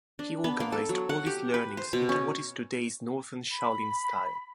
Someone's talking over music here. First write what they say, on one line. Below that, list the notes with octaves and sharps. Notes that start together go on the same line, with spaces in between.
He organized all his learnings into what is today's Northern Shaolin style.
D4
B3
A#3
A4
F#3
F#5
G4
B4
C5
B2
C#4
B5